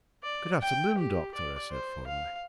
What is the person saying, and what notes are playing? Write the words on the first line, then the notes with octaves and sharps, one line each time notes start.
"Good afternoon, Doctor," I said formally.
D5
G5
G4
D5
C5
F5